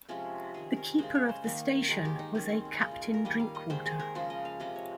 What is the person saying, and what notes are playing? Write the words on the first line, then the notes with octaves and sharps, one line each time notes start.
The keeper of the station was a Captain Drinkwater.
C3 F3 G#3 C#4
D#3 G#3 G#4
A#4
C#3 G#3 C5
C#5
C5
D#3 A#3
D#3 G#3 A#4
G4
D#4
D#3 G#3 C#4
C4
C#4
C#3 G#3 D#4
F4
G#4
A#4
D#3 G3 A#3 D#5
F5
D#5
D#3 G#3 C5
G#4
A#4
C#3 F3 G#3 C5
D#5
F5
C3 F3 G#3 D#5
C#5